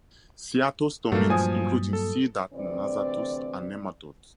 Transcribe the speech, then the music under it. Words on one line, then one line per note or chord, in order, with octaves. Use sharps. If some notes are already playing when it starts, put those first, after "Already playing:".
Cyathostomins, including "C. nassatus," are nematodes.
G2 A#2 F#3 A3 A#3
F3 G#5 D#6
A4
D2 C3 E3 C4 D5